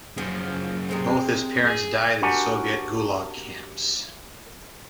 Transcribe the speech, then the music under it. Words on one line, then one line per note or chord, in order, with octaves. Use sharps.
Both his parents died in Soviet Gulag camps.
F#2 F3 G#4
C3 G#3 C4
G#4
D4 F#4 G4 A#4 F#5 G#5